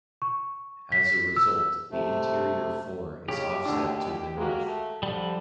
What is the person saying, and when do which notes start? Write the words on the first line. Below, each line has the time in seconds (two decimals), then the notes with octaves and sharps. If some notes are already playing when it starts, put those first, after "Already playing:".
As a result, the interior floor is offset to the north.
0.22 C#6
0.92 B6
1.36 E6
1.91 C3 A3
3.28 D#2 C#3 C#4 G4
3.65 D2 D3 D4
4.37 G#3 A#3 F#4
4.66 A3
5.03 D3 F3 G3